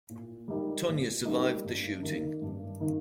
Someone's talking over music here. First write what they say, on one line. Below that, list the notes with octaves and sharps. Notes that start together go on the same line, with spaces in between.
Tonya survived the shooting.
A#2
G3 A#3 D#4
A#2
G3 A#3 D#4
G2
D#3 A#3 D#4
G2
D#3 A#3 D#4